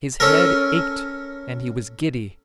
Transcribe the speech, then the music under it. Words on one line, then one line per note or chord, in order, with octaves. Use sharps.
His head ached and he was giddy.
C#4 A4 A#4